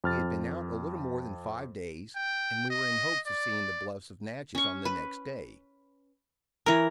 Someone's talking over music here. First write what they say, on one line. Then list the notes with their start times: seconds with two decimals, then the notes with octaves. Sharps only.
We had been out a little more than five days, and we were in hopes of seeing the bluffs of Natchez on the next day.
0.04 F2 F6 A6
2.16 G5
2.70 D#5
3.27 D5
4.55 C#4 C#6
4.85 B4
6.66 E3 A#4 C#5